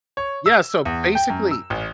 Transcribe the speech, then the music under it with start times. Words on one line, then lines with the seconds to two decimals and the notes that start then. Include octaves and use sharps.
Yeah, so basically
0.17 C#5
0.46 E6
0.85 E2
1.15 G5
1.30 F#2
1.51 E6
1.70 A1